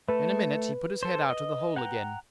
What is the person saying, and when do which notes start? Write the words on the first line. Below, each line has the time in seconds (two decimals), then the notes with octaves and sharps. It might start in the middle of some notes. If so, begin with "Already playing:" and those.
In a minute he put his head out of the hole again.
0.09 A3 A4 B4
1.03 A4 C5
1.30 D#5
1.76 F#5 G5 A#5